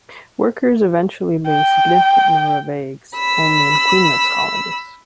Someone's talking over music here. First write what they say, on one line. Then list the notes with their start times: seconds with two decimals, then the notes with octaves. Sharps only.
Workers eventually lay significant numbers of eggs only in queenless colonies.
1.48 G5
3.17 B5 E6